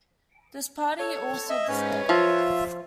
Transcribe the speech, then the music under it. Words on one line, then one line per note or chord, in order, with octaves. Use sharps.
This party also disbanded.
A4 C#5
D#5 E5
G#2 C#4 B4 C#5
F3 F4 E5